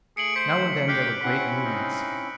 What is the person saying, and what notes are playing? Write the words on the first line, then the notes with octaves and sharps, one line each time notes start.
Now and then there were great movements.
A3 G#4 C#7 D7 F#7
C5 B6
G4 F6 F#6 C7
C4 C#4 E4 F#5
D#4